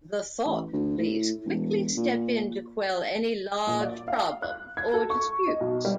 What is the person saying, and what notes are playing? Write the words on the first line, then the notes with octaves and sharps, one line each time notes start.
The thought police quickly step in to quell any large problems or disputes.
A1
D2
A2
E1
A#2
A#1
D5
F5
F#6
G#6
A4
C#6
D#5
B1
G3